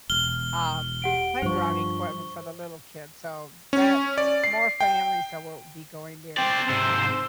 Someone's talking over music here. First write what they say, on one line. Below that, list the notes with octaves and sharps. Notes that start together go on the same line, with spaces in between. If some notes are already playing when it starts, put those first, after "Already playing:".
um, playground equipment for the little kids, so, that m more families that will be going there.
E1 F6 G7
G4 F#5 D7
G2 F3 C5 C#6
C#4
D5
C7
G5
C4 C5 D5 G5
G#2 C3 E6